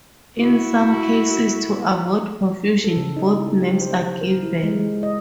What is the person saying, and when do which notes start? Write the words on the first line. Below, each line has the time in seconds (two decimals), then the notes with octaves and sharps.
In some cases, to avoid confusion, both names are given.
0.39 E4 F#4
2.84 A4
2.97 C#3
3.16 D#4
3.34 E4
3.60 G4
3.81 C5
4.21 A#4
4.43 E4
4.63 G#3
5.03 D#5